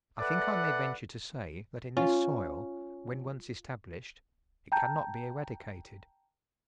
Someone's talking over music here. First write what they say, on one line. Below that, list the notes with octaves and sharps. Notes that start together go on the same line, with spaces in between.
I think I may venture to say that in this soil, when once established, it cannot be eradicated.
A4 B4 D5 E5 F#5
C#4 F4
G5 A5 A#5 G6